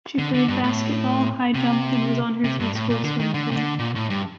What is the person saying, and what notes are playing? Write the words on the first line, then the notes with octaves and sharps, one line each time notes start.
She played basketball, high-jumped and was on her high school swim team.
D3
D3
G2
A2
C3
C3
G2
A2
A#2
D3
D#3
D3
C3
D3
A#2
A2
G2